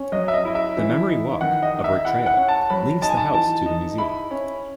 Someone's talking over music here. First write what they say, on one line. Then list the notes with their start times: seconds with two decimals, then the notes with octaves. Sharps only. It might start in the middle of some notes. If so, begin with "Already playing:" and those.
The Memory Walk, a brick trail, links the house to the museum.
Already playing: C#4
0.12 F#3 D#5
0.28 E5
0.34 D#5
0.45 E4
0.55 E5
0.77 E3
1.08 D#4
1.41 D#3 F#5
1.63 D#5
1.74 D#4
1.84 E5
2.05 E4 F#5
2.26 F#5
2.37 C#4
2.48 A5
2.70 F#3 B5
3.02 D#4 A5
3.09 G#5
3.17 A5
3.34 E3 A5
3.66 D#4
3.98 E4 B5
4.31 C#4